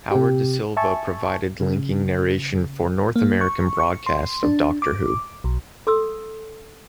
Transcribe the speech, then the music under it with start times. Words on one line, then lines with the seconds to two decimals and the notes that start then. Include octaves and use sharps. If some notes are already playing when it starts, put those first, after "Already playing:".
Howard Da Silva provided linking narration for North American broadcasts of Doctor Who.
0.11 C3 G4
0.77 E5 G#5 A5 C#6
1.61 C#3
3.16 A#3
3.41 C#6
3.79 C#6
4.06 C6
4.43 D4
4.82 D6
5.44 B1
5.87 A4 C6 D#6 E6